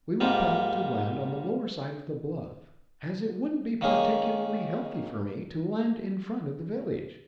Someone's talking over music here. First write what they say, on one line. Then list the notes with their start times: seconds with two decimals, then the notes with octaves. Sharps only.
We will paddle to land on the lower side of the bluff, as it wouldn't be particularly healthy for me to land in front of the village.
0.20 G#2 G3 A#3 F4
3.81 D#3 A#3 C#4 G#4